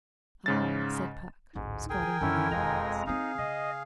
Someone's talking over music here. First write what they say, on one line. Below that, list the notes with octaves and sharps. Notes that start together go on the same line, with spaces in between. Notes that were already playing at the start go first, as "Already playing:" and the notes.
'Ah!' said Puck, squatted by the windlass.
G#2 C#3 A6
A1 D2 G#2
G#4 A#4 G5 G#5
F#2 D3 E3 C#4 E4
E1 F2 G#3 C4 A#5
D3 C4 D#4 G#4 F5
C#3 D#5